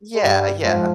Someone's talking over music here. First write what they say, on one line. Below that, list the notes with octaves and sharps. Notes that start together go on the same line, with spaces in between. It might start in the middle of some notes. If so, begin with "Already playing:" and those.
Yeah, yeah.
G#3
G2 G3
F2 G#2 F3